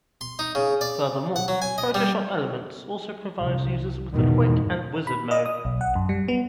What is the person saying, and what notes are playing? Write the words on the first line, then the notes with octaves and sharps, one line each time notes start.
Furthermore, Photoshop Elements also provides users with a quick and wizard mode.
C6
D#4
C#3
D5
F#5
F#3
G#5
D#5
G3
C2
E2 G#2 B2 D#3
B5
D#5
D#6
B1
F#5
F#2
G3
B3